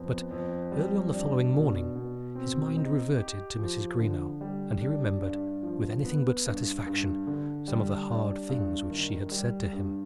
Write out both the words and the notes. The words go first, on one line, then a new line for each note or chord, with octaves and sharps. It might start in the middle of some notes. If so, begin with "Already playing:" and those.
But early on the following morning his mind reverted to Mrs. Greenow, and he remembered, with anything but satisfaction, some of the hard things which she had said to him.
Already playing: F2 B3
F2
G3
D4
B2
B2
C4
D#4
G4
F3
D3
G3
D4
G2
F3
B3
G2
G2
D3
G3
D4
G2
D#3
G3
G2